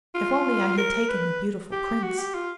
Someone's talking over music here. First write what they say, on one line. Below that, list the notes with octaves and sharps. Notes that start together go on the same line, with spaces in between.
'If only I had taken the beautiful Prince!
F4
A#4
B4
G4
F#4
G4
F4